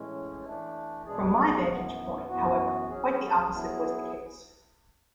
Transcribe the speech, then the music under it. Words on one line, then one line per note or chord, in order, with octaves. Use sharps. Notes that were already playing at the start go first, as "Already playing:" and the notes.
From my vantage point, however, quite the opposite was the case.
Already playing: A2 E3 G#3 C#4
E3 A3 D4
B2 G#3 D4 G#4
F#2 E3 B3
F#2 E3 B3 F#4
F#3 C#4 G#4
F#3 B3 E4 G#4